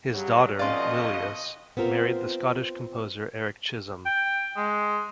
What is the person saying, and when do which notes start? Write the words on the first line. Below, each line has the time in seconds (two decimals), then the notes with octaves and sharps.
His daughter, Lillias, married the Scottish composer Erik Chisholm.
0.12 F#2 C#3 F#3 G3
0.59 F2 B2 C#4 D5 D#5 F5 C6
1.77 B3 C4 F4 A#4
4.06 G5
4.57 G#3